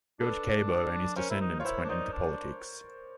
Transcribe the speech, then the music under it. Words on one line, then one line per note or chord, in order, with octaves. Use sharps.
George Cabot and his descendants went into politics.
D4 A4 B4
C#4 A#4 C5
E4
D#4
F4 C#5
E4 A#4 C5
D4
D#4 C5 D5
D4